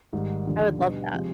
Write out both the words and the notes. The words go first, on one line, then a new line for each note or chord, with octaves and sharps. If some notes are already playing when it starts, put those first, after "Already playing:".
I would love that.
G#1 G#2 D#3 G3
D#2 D3 F3
B2 G3 B3 D4
C3 F3 G#3 C4